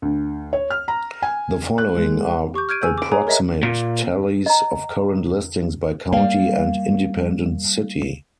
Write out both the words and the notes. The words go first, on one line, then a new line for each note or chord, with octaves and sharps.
The following are approximate tallies of current listings by county and independent city.
D2
C#5
F6
A#5
G#5
F#6
G#3
G4 C#6 D6 G6
F6 G6 G#6 D7 D#7
G#4 B4 G#5 E6 G6
D6 D7
G#4 B4 C#5 G#5 A#5
A#4 C#5 D#5 E5 A#5
A#2
D#5 A#5
G3 A#3 F5